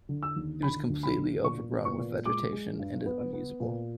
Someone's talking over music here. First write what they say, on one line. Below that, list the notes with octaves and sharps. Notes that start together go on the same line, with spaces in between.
It is completely overgrown with vegetation and is unusable.
D3
E6
D#2
D3 B5
D2
B5
D3
A#2 C#6
B3
C#6
A#2
G#3 D6
G#3
G2
B3
B3
A#2